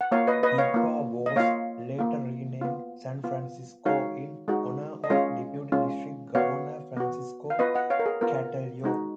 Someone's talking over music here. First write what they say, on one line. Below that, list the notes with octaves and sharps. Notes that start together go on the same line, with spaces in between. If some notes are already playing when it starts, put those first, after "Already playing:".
"Hagpa" was later renamed "San Francisco" in honor of Deputy District Governor Francisco Cataylo.
F#5
A#3 F4 C#5 F5
B4 D#5
B4 D#5
C#5 F5
A#3 F4
D#5
A#3 F4 C#5 F5
A#3 F4
B3 F4
B3 F4
G#3 D#4 F#4 C#5 F5
G#3 D#4 F#4
D#5
G#3 C#4 F4 C#5 F5
G#3 C#4 F4
B3 F#4 C#5 F5
B3 F#4
F5
B3 F4 B4 D#5
D#5 F#5
C#5 F5
A#4
G#4
B3 F4 A#4
G#3 D#4 F#4